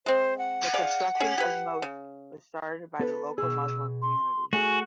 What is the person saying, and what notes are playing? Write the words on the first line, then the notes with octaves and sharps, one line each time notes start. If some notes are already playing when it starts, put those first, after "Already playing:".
The construction of the mosque was started by the local Muslim community.
G#3 C4 C5
F#5
G#4 D5 F5
C#4 G#4
G4 B4
C#3
B3 A4 B4
B2 G#4 E6
C6
A3 F#4 G#4 G#5